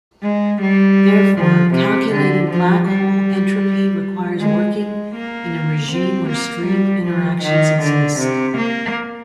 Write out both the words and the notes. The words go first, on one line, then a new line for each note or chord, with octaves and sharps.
Therefore, calculating black hole entropy requires working in a regime where string interactions exist.
G#3
G3
F3
C3
D3
F3
G3
G#3
G#3
A#3
C4
A#3
G3
F3
D#3
D3
C3
A#3